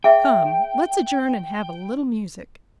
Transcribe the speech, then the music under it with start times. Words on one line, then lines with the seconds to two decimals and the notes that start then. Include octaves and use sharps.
"Come, let's adjourn and have a little music."
0.04 G#4 E5 G5